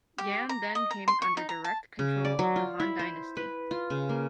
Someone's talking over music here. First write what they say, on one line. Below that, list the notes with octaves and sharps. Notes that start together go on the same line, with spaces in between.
Yan then came under direct control of the Han dynasty.
G4
A#5
D#5
A#5
C6
C#6
D#4
A#5
A5
C#3
D5
F#3
F4
E4
C5
B4
F4
C#3
A#3